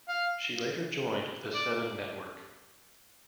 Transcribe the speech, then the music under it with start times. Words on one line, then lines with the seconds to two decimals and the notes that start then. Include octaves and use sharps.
She later joined the Seven Network.
0.08 F5
1.55 D5